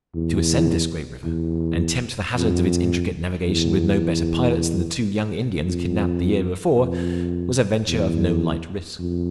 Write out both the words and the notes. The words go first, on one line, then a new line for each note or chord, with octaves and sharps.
To ascend this great river, and tempt the hazards of its intricate navigation with no better pilots than the two young Indians kidnapped the year before, was a venture of no light risk.
E2
E2
F2
E2
F2
F2
E2
F2